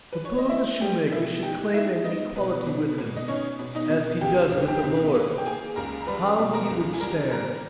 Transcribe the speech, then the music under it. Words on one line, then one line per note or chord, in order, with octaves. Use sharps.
'Suppose a shoemaker should claim an equality with him, as he does with a Lord; how he would stare.
B4
C#5
D#5
B3 E4 E5
G3 G4 G5
B2 E4 E5
D#4 G4 G5
D#4 E4 E5
B3 D#4 D#5
B2 B4
B2
B2
D#5
C#4 D#4 C#5
B2
D#4 D#5
B2
C#2 G4 G5
C#2
G4 G5
B2
A#3 B4
G5
A#3 G#4 G#5
C#2 A#4 A#5
A#5
G3 B4 B5
B2
A#4 A#5
C#2
G#5
G3 A#4 A#5
G3 A#4 A#5